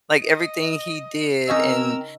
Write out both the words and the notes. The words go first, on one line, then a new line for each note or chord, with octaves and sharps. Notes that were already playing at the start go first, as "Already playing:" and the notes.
like, everything he did and,
D#5
C#3 C4 C#4 D#4 A#4 D#5 E6